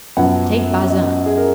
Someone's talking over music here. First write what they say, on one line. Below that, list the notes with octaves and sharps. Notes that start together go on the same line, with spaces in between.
"Take Bazin."
F#2 F3 B3 F#5
D#5
G#4
A#4